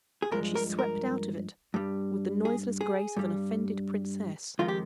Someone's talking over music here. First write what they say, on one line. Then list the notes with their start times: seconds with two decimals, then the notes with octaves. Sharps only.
And she swept out of it with the noiseless grace of an offended princess.
0.22 G#4
0.31 G2 F3 G#3 A#4
0.55 A#4
0.79 A#4
1.74 G2 G3
2.45 G#4
2.81 G#4
3.16 G2 G3
4.59 F2 D#3 G#3 F4
4.68 G4